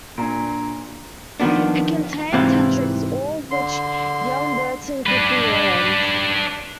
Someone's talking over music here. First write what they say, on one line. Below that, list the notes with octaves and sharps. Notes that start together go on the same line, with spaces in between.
It contained ten tricks, all of which young Burton quickly learned.
A#2 D4 A#5 D7
D#3 F3 B3 D4
G#2 C3 E3 C4 E4 F4
D3 C6
D4 B4